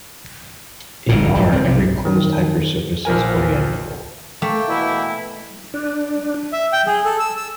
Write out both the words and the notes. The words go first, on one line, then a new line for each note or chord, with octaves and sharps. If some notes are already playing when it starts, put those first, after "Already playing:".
In R, every closed hypersurface is orientable.
G1 E2 A#2
A#1 G#2 G3
G3 C4
B1 C3
D#3
A#1 F3 A#4 G#5
A3 A#3 G5
B2 E3 E4
D4
E5
G5
G#4
A4
E6
E6